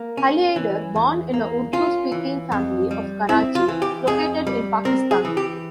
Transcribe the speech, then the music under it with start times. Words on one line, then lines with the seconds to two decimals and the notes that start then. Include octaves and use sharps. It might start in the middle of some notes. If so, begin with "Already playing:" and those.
Ali Haider born in a Urdu Speaking family of Karachi located in Pakistan.
Already playing: A#3
0.17 C#4
0.56 E3
0.96 E2
1.34 A#3
1.73 C#4 F4
2.12 E3
2.52 F2
2.91 G3
3.29 C4 E4
3.55 F4
3.68 E3
3.82 G4
4.07 F2 G#4
4.47 G3
4.85 C4 A#4
5.11 G#4
5.25 E3
5.37 G4